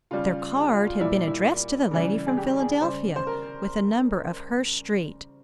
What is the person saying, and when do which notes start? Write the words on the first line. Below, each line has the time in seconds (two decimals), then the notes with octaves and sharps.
Their card had been addressed to the lady from Philadelphia, with the number of her street.
0.11 C#3 G3 F4
0.56 G#4
0.72 F4
0.87 F4
1.01 A#2 G3 E4
1.28 E4
1.91 C#3 E3 G3
2.27 G#4
2.37 G4
2.60 G#4
2.82 C#3 G3 C5
3.16 C5
3.27 A#4